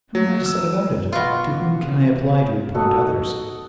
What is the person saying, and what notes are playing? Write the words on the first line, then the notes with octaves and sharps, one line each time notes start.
How am I to set about it? To whom can I apply to appoint others?
F#3
E6
B2 F4 F#5
D#4 F#4 A4